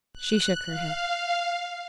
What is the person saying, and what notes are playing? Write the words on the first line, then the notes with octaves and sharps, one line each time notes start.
She shook her head.
F#6
F5